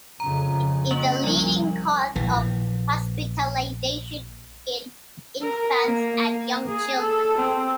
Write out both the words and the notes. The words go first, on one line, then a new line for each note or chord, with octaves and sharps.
It is a leading cause of hospitalization in infants and young children.
F2 C#3 A#5
A#3 C#4 F#7
C2 F3 G3
A#1 E3
A#4
A#3
A#3
G#4
A4
C4